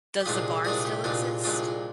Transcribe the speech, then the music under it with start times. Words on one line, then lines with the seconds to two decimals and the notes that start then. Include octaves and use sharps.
Does the barn still exist?
0.21 G4
0.25 C2 A#2 G#3 D4 F4 G#4
0.65 C2 A#2 G#3 D4 F4 G#4
0.85 G4
1.04 C2 A#2 G#3 D4 F4
1.44 C2 A#2 G#3 D4 F4